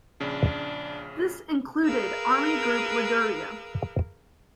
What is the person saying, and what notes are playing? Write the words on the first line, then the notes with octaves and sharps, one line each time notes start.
This included Army Group Liguria.
A#1 C#3 D4
G#4 A#4 B4 F5 E6